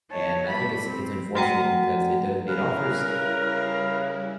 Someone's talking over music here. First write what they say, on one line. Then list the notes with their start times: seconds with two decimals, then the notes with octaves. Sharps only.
And I think it's it's unfortunate because it does it offers,
0.11 C#5 A5
0.47 G3 B5
0.84 C4
1.35 A3 F#4 F#5 G5 A#5
2.48 C#3 G3 E4 A#4 B4 F5